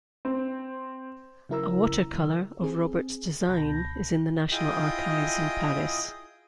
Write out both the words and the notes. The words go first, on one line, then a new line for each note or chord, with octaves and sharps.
A watercolour of Robert's design is in the National Archives in Paris.
C4
C#3 F#3 E4 A#4 A#5 E6
C4 G#4
C#2 B2 A5 B5 G6 A#6
E4 F4 G#4 D#5 G5 D#6